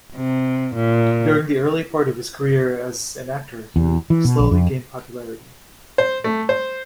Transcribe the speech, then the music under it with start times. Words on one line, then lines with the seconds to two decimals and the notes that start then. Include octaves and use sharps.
During the early part of his career as an actor he slowly gained popularity.
0.15 C3
0.75 A#2
3.76 E2
4.10 E3
4.25 B2
4.39 A#1
4.51 F2
5.98 C5
6.24 A3
6.49 C5